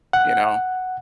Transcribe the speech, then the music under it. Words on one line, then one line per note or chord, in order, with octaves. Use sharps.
You know?
F#5